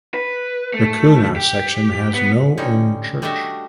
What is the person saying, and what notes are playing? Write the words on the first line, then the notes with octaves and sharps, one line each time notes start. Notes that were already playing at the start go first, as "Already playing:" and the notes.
The Coonagh section has no own church.
B4
A3
G4
B3
D3 G3 C#4 D#4
G3 A3 D4 F#4 D#5 E5